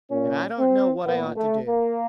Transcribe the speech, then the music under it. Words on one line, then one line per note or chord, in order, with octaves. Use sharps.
And I don't know what I ought to do.
A#2 C#4
C4
A#2 B3
A3
A#3